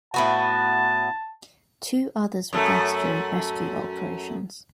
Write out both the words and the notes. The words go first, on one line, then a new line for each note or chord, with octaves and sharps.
Two others were gassed during rescue operations.
A2 B3 F#4 A5
F#2 A3